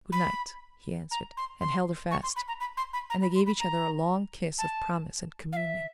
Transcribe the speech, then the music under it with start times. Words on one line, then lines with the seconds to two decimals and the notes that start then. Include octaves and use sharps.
"Good night," he answered, and held her fast; and they gave each other a long kiss of promise and communion.
0.12 B5
1.11 A#5
1.37 C6
1.61 C6
2.11 C#6
2.23 C6
2.36 B5
2.48 A#5
2.60 B5
2.77 C6
2.93 B5
3.10 A#5
3.22 B5
3.35 C6
3.46 B5
3.60 A#5
4.58 A5
5.53 F5
5.57 E5